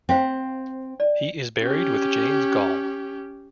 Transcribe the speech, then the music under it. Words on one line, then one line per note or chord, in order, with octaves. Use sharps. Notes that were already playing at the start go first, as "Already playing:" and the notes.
He is buried with James Gall.
C4 C5 F5 G5
D5
C#4 G4